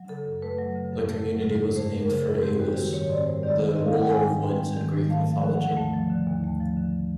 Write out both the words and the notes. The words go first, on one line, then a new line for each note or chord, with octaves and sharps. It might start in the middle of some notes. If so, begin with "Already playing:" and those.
The community was named for Aeolus, the ruler of winds in Greek mythology.
Already playing: F#3
C#3 A4
F#2
A3 B4
F#3
C#3
F#2
A3
F#3
C#3
F#2
A3 C5
F#3
A#4
C#3
G#4
F#2
C4 G4
G3 F#4
D#3 C5
G#2 C#5
C4 D5
G3 C5
D#3 D5
G#2 D#5
C4 D#5
F5
G3 F#5
G5
D#3 G#5
G#2
C4 G5
G3
D#3
G#2
A3 F5
F3
F5
D3
F#5
D#2
A3
F3
D3
D#2
A3
F3
D3